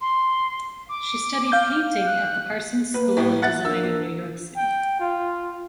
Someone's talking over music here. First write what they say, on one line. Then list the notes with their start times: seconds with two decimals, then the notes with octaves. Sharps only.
She studied painting at the Parsons School of Design in New York City.
0.01 C6
0.89 D6
1.52 F5 G6
2.07 F#6
2.94 A#3 B4
3.17 A2 B3
3.42 E5 F#5 F#6 A6
3.65 A#3 D4 E6
3.83 A#3
4.57 G5
5.00 F4